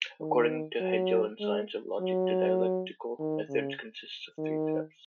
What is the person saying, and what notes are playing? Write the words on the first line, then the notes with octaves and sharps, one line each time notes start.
According to Hegel in "Science of Logic", the dialectical methods consists of three steps.
D#3
F#3
G#3
F#3
D#3
C#3
D#3